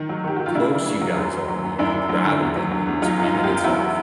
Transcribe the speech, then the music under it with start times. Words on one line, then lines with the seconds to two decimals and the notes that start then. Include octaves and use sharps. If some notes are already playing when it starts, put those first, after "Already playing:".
close you guys are in the end rather than the disagreement itself.
Already playing: D#3
0.09 F#3
0.24 D#3 G4
0.37 D#3 F#4
0.46 F4
0.55 C#3 D4 E4
0.70 C#3
0.86 C#3
1.01 F#3
1.17 F#2
1.32 F#2
1.48 F#3
1.63 F#2
1.79 F#2 D4 E4
1.94 F#2
2.09 F#3
2.25 D3
2.40 E2
2.56 F#3
2.71 F#3
2.87 E2
3.02 F#3 D#4 F4
3.18 F#2
3.23 D#4 F4
3.33 F#2
3.44 F4 G4
3.49 F#2
3.64 E2 E4 F#4